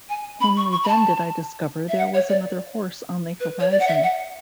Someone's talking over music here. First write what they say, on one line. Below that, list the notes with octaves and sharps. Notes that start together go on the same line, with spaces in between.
Only then did I discover there was another horse on the horizon.
G#5
B5
C#6
C#6
B5
A5
E5
F#5
C#5
D5
B4
C#5
D5
F#5
E5
F#5